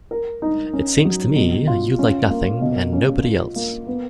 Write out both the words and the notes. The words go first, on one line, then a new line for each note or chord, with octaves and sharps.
It seems to me you like nothing and nobody else.
A#4
D#4
C#4
F#3
B2
F4
C#4
A#3
B2
C#4
F4
A#3
B3